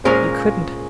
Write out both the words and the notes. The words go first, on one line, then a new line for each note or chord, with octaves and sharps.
You couldn't.
A#2 G#3 C#4 F4 G#4 A#4 C5